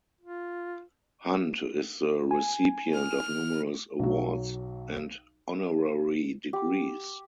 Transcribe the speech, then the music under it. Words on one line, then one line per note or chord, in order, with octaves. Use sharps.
Hunt is the recipient of numerous awards and honorary degrees.
F4
G#5
F6
B1 F#3
G4